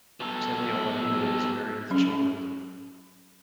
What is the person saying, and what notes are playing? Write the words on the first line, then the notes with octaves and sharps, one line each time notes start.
Temi Olajide is married with children.
B2 A4
F#3 C#4